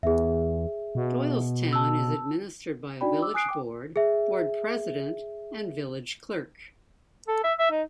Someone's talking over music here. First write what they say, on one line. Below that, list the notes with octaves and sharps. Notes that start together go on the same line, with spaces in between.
Doylestown is administered by a Village Board, Board President, and Village Clerk.
E2 G#4 E5
B2
A5 E6
D4 D#4 F#4 D5 G5 B5
D6 E6
G#5 D#6 F#6 C7 D7
G5 D6
G#4 E5
A4
E5
E5
D#4